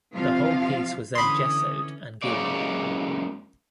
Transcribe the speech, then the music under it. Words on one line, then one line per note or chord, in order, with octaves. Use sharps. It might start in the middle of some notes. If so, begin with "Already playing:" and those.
The whole piece was then gessoed and gilded.
C3 F3 F4 F5
D3 E3 C#4 B5 C6 D#6
F#2 C3 G#3 A#3 C#5 D5